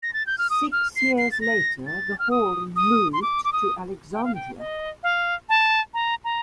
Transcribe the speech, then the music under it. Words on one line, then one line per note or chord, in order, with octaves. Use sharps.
Six years later the Hall moved to Alexandria.
A#6
A6
G6
F6
D#6
F6
C7
C7
A6
A#6
A6
F6
D#6
D#6
C6
D6
D6
D#6
G5
F5
G5
D#5
F5
A5
A#5
A#5